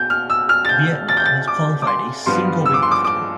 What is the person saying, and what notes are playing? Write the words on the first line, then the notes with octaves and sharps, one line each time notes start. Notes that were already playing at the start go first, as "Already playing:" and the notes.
Vietnam has qualified a single weightlifter.
Already playing: B2 G6
F6
E6
F6
A6
G6
A6
G6
A6
D6
D6
C6
G2 F3 B3 F4 C6
E6
D6
C6
D6
D6